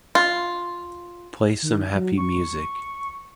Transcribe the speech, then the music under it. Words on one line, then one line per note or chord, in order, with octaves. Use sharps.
Play some happy music.
F4
D#3
F#3
C#6